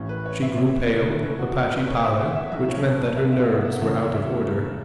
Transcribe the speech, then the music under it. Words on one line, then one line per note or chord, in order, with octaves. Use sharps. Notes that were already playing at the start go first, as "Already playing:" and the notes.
She grew pale--a patchy pallor, which meant that her nerves were out of order.
Already playing: A1 A2 E3 C#4
B4
C#5
E5
C#5
E2 C#3 A3 C#4 B4
F#4
F#4
B4
C#5
E5
F#5
E5
B1 A2 A3 C#4 E5
C#5
A4
B4
C#5
E5
E5
F#5
F#5
E1 E2 C#3 A3 C#4 E5
C#5
E5